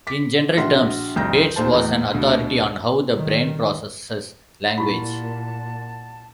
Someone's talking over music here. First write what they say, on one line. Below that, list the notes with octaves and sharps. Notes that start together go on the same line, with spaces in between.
In general terms, Bates was an authority on how the brain processes language.
D6 B6
A#1 F#4 C6
C2 F2 G6 A#6
D#2 A#2 C5 A5
E2 A2
D2 B2
D#3 G3
A#2 E4 G4 D5 F#5 A5 B5